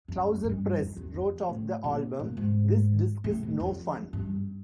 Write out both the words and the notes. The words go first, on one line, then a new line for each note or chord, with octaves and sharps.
"Trouser Press" wrote of the album: "This disc is no fun".
F#2
F#2
G2
F2
E2
F2
A2
A#2
A#2
G#2
A2
A2
F2
F#2
G2
G2